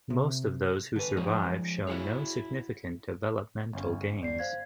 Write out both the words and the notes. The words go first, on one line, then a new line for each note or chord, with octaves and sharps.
Most of those who survive show no significant developmental gains.
C3
D3 B4
F3 G#3 D#4 G#4 C5 C#5
E4 F#4 G#4 C#5
G1 C#4
D5 C7
C5 F5 G#6